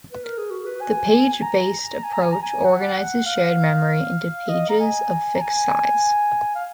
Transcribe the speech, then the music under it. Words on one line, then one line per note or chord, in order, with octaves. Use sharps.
The page based approach organizes shared memory into pages of fixed size.
B4
A#4
G#4
F#4
B4
G#5
G#5
A#5
G#5
A#5
G#5
A#5
G#5
F#5
F5
D#5
A#5
G#5
A#5
G#5
F5